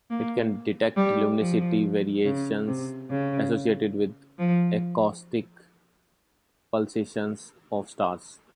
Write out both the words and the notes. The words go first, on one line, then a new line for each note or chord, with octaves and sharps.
It can detect luminosity variations associated with acoustic pulsations of stars.
A#3
G3
F3
C#3
C3
C#3
F3